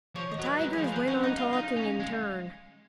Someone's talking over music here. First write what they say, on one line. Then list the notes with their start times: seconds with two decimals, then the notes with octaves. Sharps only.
The tigers went on talking in turn.
0.15 F3 C#5
0.31 D#5
0.39 F#3
0.46 B4
0.61 G#3 A#4
0.73 F3 G#4
0.84 F4
0.92 F3
0.96 B4
1.08 C#4 F#5
1.23 D#4 D#5
1.38 F4 F5
1.53 D#4 F5
1.76 C#4
2.00 G#3